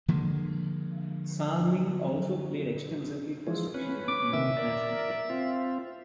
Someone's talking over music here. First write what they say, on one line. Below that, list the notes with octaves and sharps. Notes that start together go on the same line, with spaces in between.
Salming also played extensively for Sweden in international play.
D3 F3 G#3 A#3
E3 F3 G#3
C#4 B4
D6
C3 D#3 E5
A#4 D5
C4 F4